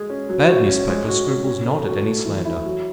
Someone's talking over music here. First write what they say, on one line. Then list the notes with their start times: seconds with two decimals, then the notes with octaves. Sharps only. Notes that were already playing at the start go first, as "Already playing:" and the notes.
A bad newspaper scruples not at any slander.
Already playing: G#3 G#4
0.10 C#4
0.29 F#3
0.48 F#4
0.69 C#4
0.88 G#3
1.08 F#4
1.27 C#4
1.47 C#4
1.67 A4
1.87 F#4
2.06 A3
2.25 E3
2.45 E4
2.65 F#3